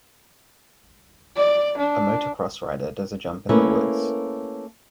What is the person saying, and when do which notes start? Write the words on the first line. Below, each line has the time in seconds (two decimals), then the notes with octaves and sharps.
A motocross rider does a jump in the woods.
1.36 D5
1.77 D4
3.49 A3 A#3 C#4 E4 A#4 B4